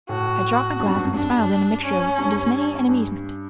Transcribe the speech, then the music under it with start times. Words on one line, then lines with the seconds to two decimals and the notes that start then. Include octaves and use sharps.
I dropped my glass and smiled in a mixture of dismay and amusement.
0.09 A2 F#4
0.79 G2
0.88 F#2
0.96 G2
1.05 F#2
1.13 G2 D4
1.83 C#4
2.18 G2
2.89 G2